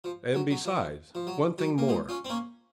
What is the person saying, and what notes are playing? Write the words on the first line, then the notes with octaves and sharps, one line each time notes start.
And besides--one thing more!
F3
F#3
F#3
F3
F3
F#3
F#3
A#3
F3 G#3
C#4 F4
C4
A#3 C#4